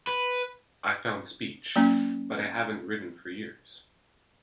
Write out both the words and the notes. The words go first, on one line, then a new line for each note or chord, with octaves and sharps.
I found speech: "But I haven't ridden for years."
B4
F#3 A#3 C#4